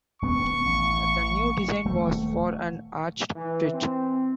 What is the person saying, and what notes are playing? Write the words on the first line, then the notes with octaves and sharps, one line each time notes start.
The new design was for an arched bridge.
D#1 B3 C#4 C#6
A1
D#1 A3
E3
C4